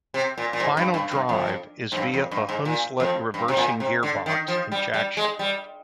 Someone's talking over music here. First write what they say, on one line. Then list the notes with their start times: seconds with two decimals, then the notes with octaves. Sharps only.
Final drive is via a Hunslet reversing gearbox and jackshaft.
0.14 C3
0.38 A#2
0.53 A#2
0.60 G#2
0.77 G2
0.94 G2
1.11 G2
1.29 F2
1.92 G#2
1.97 G2
2.14 F2
2.31 G2
2.49 G#2
2.65 A#2
3.00 F2
3.34 G2
3.48 C3
3.57 A#2
3.80 C3
4.03 D3
4.26 D#3
4.48 F3
4.72 G3
4.94 G3
5.17 G#3
5.39 G3